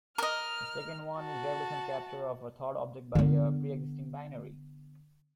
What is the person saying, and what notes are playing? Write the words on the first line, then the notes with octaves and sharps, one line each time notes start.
The second one is gravitational capture of a third object by a preexisting binary.
A#4 D#5 F6
F#4 A5
D3 B3